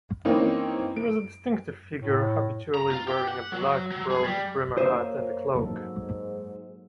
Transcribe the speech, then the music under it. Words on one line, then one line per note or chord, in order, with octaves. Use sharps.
He was a distinctive figure, habitually wearing a black broad-brimmed hat and a cloak.
E3 A#3 C4 C#4 D#4
D7
A2
A#5
F4
G4
F#5
F#3
F#3
G#4
G3
A#3 C5 C#5 D#5 E5
G#2 F#3 A#3 A4